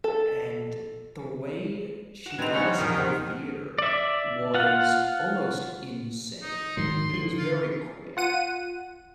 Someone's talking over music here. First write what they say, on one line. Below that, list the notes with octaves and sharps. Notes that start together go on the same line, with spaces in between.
and the way she got us into theater was almost insane. It was very quick.
A4
F#4 E7
C4 D4 D#4 B4 G#6 F7
G3 C4 C#4 F#4 C#5
E1 F2 G#2 D#3
G4 C5 F#5
D5 E5
F4 F#5
D#4
G#2 D#3 F#3 C6
D3 F3
F4
F4 F#5 D#7